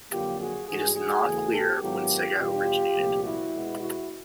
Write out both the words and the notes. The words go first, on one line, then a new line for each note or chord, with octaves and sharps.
It is not clear when sega originated.
F2 D3 F#3 A#3 F4 G4
F#4 G#4
G#2 E3 G3 F#4 G#4
F#4 G#4
E2 C#3 E3 A3
G4 A4
G#2 D#3 F#3 B3 F4 G4
E2 B2 G3 F4 G4
C2 A#2 F3 A3
E4 F#4
B2 G#3 B3
E4 F#4